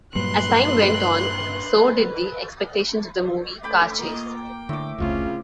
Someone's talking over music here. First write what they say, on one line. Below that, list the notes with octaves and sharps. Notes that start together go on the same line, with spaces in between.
As time went on, so did the expectations of the movie car chase.
G2 A#2 F#3 B4 C6 F#6
A3 C#4 G5 B5 D6
A#3 F4 D#5
G5
A2 D3 D6
F1 C#2 C#3 A3 C4 C#4 F4